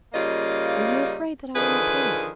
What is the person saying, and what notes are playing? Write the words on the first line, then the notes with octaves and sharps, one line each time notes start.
Are you afraid that I will not pay you?
C#3 G3 A#3 F4 D#5
D3 D#3 F3 G#4 B4